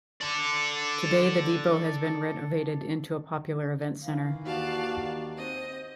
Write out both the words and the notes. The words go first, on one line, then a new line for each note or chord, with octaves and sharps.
Today, the depot has been renovated into a popular events center.
A4 D5
D#3 E3 F5
D#2 F#4 D5 F5 A5
C4 C5 D#5